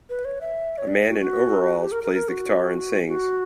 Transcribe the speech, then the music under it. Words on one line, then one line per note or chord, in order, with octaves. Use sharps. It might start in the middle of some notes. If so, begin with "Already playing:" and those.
A man in overalls plays the guitar and sings.
B4
C#5
E5
C#5
D5
F#4
F#4
G4
A#4
A#4
A#4
F#4
F#4